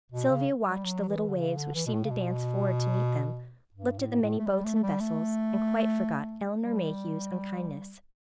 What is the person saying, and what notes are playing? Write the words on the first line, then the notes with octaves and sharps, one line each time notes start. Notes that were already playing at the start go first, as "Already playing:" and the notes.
Sylvia watched the little waves which seemed to dance forward to meet them, looked at the many boats and vessels, and quite forgot Elinor Mayhew's unkindness.
B2
C#3
G3
F#3
F#3
E3
D3
C#3
D3
E3
B2
A2
C#3
B2
G2
A2
A2
A3
G3
A3
A3
G3
A3
G3